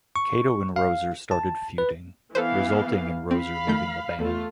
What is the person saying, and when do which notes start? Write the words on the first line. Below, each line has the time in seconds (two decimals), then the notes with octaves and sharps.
Kato and Roeser started feuding, resulting in Roeser leaving the band.
0.16 C#6
0.76 F5
1.31 A5
1.78 B4
2.35 E3 B3 A4 B4 C5 F5
3.31 C4 F5 B5
3.67 D#3 A3 G6
4.19 E2 A3 F4